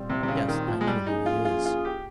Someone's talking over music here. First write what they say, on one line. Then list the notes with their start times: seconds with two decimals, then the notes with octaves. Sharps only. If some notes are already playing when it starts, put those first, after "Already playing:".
"Yes; I know who he is."
Already playing: A#2 G3 C4
0.10 C3
0.23 C3
0.28 C#3
0.48 D#3
0.68 F3
0.81 G#3
0.87 G3
1.06 F3 A#3 C#4 D#4 G#4
1.26 F4
1.45 F4
1.65 F4
1.85 G4